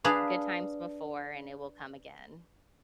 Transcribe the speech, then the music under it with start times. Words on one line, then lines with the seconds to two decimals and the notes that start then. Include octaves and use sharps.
good times before, and it will come again.
0.04 D4 G#4 B4 D5 F5